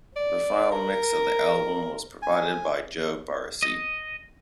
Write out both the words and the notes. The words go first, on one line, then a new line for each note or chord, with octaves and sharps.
The final mix of the album was provided by Joe Barresi.
D5
A#4
G#5
D#5